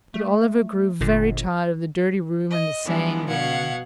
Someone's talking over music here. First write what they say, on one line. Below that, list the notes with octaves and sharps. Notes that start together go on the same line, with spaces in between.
But Oliver grew very tired of the dirty room and the same game.
A3
G1 A#2 D3
D#5
E3 F3 G3 G#3 B3 D4
B2 F5 F#5 G#6